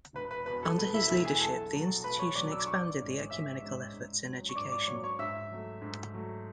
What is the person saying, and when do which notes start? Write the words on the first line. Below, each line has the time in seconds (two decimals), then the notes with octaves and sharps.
Under his leadership the institution expanded the ecumenical efforts in education.
0.14 E1 B4
0.31 B4
0.46 E2 B2 B4
0.63 A4
0.78 E1 B4
0.94 E4 E5
1.09 E2 B2 E4 E5
1.25 G#4 G#5
1.40 B1 A4 A5
1.73 B2 F#3
2.03 B1 B4 B5
2.19 C#5 C#6
2.35 B2 F#3 D5 D6
2.52 E6
2.59 D6
2.66 A1 C#6
2.73 D5 D6
2.98 G#2 G#3 C#4
3.30 A1 E5 E6
3.62 G#2 G#3 C#4
3.94 G#2
4.25 F#3 C#4
4.49 C#6
4.55 G#2 D5 D6
4.72 D5 D6
4.87 F#3 C#4 C#5 C#6
5.04 C#5 C#6
5.19 G#2 E5 E6
5.51 F#3 A3
5.82 G#2
6.14 F#3 A3